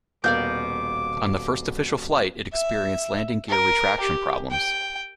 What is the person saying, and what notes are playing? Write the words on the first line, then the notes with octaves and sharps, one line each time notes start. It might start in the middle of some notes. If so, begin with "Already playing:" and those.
On the first official flight, it experienced landing gear retraction problems.
D#1 B2 A#4 D5 F5 D6 G6
E5
A#4
G4
G5